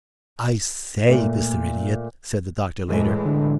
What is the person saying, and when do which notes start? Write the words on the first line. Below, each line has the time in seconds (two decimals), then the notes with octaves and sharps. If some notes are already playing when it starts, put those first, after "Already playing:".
"I say, Mr. Idiot," said the Doctor later.
1.09 A#2 A3
2.88 A2 E3 G#3
3.25 D3